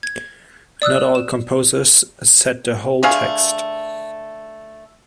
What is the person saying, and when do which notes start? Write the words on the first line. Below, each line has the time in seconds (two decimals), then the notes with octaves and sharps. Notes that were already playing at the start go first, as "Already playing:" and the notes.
Not all composers set the whole text.
0.03 G#6
0.82 D5 D#6 E6 F#6
1.15 E7
3.03 D3 A3 G#4 F5